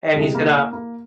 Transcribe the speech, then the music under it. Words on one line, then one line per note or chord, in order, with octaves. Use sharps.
and he's gonna
C2 C3 E3 G#3
A#3
A#3
A#3